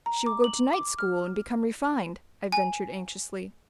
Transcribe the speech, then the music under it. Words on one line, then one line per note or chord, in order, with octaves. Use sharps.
"She will go to night school and become refined?" I ventured anxiously.
A#5
D6
F#7
D6
F6
G#5